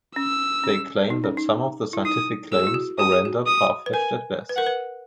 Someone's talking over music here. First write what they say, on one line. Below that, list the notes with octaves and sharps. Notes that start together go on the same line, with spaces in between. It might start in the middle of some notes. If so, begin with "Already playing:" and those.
They claim that some of the scientific claims are rendered far-fetched at best.
C#4 E6
C#4
D#4
C#4
D#4
E4
D#4 D#6
G#4 E6
F#4
E4
F#4
F#4 D#6
G#4
F#4
D#6
B4
A#4 G#5
B4
A#4 F#5
B4